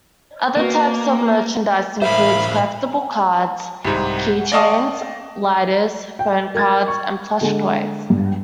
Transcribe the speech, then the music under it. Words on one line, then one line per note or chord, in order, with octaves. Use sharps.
Other types of merchandise includes collectible cards, keychains, lighters, phonecards and plush toys.
A#3 B3 F#4
A2 A#4 C5 E5 F5 B5
C2 G#2
D5 D#5 F5 A5 C#6 D#6
G5
A#4 G#6 A6
C#6
D3 G#3
G2